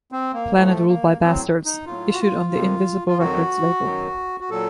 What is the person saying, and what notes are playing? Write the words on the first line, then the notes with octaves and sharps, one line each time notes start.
Planet Ruled By Bastards, issued on the Invisible Records label.
C4
A#3
A2 F3 A3
A#3
A2 F#3 C4
D#4
A2 F#3 F4
F#4
F4
F2 C3 D#3
F4
F2 D#3 F#3 F#4
F#2 D#3 F#3
F#4
A#2 F#3 A4